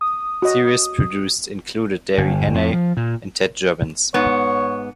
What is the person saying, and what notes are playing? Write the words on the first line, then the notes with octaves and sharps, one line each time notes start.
Series producers included David Hannay and Ted Jobbins.
D#6
F#4 D#5
G1
F2
F3
A#2
G#2 B3 C#5